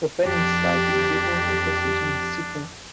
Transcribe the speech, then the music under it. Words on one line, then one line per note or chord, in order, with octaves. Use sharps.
Proponents cited Biblical passage in in support.
F2 D4 G4